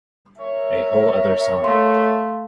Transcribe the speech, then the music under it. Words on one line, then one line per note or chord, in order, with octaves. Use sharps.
A whole other song.
A#4 C#5 E5
A3 F5 C6